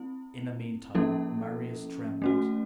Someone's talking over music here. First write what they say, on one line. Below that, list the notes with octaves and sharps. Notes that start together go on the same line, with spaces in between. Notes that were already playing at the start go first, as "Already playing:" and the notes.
In the meantime, Marius trembled.
Already playing: C4 E4
F3 A#3 C#4 E4 A4
A3 C#4 F#4